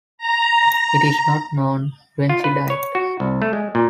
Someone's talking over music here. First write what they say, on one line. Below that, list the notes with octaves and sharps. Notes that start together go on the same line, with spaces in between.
It is not known when she died.
A#5
F4
B4
C#5
F#4
C2
A3
G#3
A#2